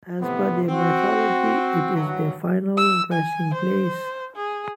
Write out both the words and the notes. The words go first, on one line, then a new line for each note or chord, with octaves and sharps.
As per their mythology it is their final resting place.
A2 C3 B3
C4 F#4
G2 E3 F#3
E6
G#5
C5
G#4